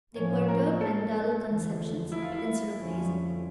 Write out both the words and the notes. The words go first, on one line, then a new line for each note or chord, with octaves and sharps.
They perturb and dull conceptions instead of raising them.
A2 F3 A#3 C#4 C#5
A#4
A4
E2 D3 F3 A3
E4
F4
E4
F2 D3 F3 C#4